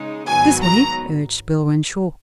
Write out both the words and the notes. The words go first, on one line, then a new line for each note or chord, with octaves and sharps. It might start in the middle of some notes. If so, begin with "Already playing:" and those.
"This way," urged Bill Renshaw.
Already playing: C#3 G#3 D#4
G#2 D#3 F#3 B3 G#5
A#5